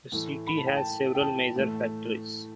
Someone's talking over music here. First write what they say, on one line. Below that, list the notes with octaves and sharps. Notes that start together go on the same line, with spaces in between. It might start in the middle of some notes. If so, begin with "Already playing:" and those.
The city has several major factories.
A2 E3 A3
B5
A5
G5
A5
G5
A5
A2 E3 A3